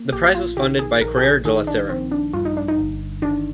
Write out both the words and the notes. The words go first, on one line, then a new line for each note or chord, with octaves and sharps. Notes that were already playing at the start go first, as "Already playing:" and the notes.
The prize was funded by "Corriere della Sera".
Already playing: A#3
A#1 G4
F4
D#3 G4
G#4
A#1 A#4
G4
G#4
D#3 G#4
D4
A#1 C4
D4
G2 F4
D#4
D4
D#4
G1
D#3 D4